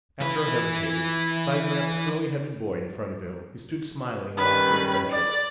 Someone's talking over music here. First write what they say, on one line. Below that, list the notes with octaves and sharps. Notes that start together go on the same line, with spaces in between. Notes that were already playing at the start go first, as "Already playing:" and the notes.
Astro hesitated, sizing up the curly-headed boy in front of him, who stood smiling and offering friendship.
E3 B4
D#3 G3 C#4 B4
D5